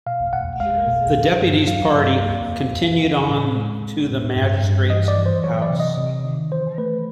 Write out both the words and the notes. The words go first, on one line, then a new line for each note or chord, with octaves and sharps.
The deputy's party continued on to the magistrate's house.
B2 F5
B2 F#5
G#3 F5
B2
D3
G2
F#3 F5
G2
A#3
F#2
F#2
F#2
A2
G#3
G#3
A2
G2
G2
E3 D#5
D5
E3
C5
F#3 C#5
D5
C3
D#5
C3
D#3
E3 C5
A3 B4